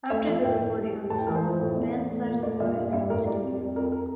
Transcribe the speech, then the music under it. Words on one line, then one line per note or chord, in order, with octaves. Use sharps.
After the recording of the song the band decided to buy their own studio.
A3 E5
F3 E5
A2 G5
A2
G3
G3
A2 A5
G5
E3 A#4
C5
F3
A2
E2
E2
A3
A#2
A3 D5
A#2 E5
G2 F5
G2 E5
A2 A#4
G3 D5
F2
F2
F2 A#4
A#4